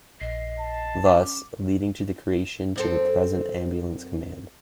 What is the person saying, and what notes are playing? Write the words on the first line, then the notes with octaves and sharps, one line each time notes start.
Thus, leading to the creation to the present Ambulance Command.
A#1 D#5 C7
A5
C#4 D6
F#2 C4 A4